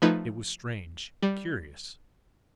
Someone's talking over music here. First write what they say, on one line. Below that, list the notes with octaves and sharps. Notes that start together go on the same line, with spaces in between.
It was strange, curious!
F3 A3 D#4 B4 G#6
G3